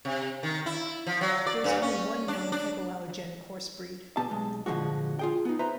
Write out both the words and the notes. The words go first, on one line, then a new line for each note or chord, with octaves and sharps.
There is only one known hypoallergenic horse breed.
C3
D#3
E4
F3
F#3
D5
G2
C#4
D4
D4
B2 B3 G4 A5
B1 G#3
A#2 D3 F3 G#3 F#4
F4 G#4 G5
B3 D#4
B4 C5 E5 A#5